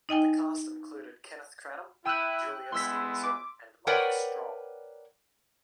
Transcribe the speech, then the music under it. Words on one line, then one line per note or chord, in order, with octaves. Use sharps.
The cast included Kenneth Cranham, Juliet Stevenson and Mark Strong.
D#4 D#5 G5 G#5
E4 G5 E6 F#6 D#7
G#3 B3 E4 C6 E6 B6
D6
A#4 B4 C#5 D5 F#5 G5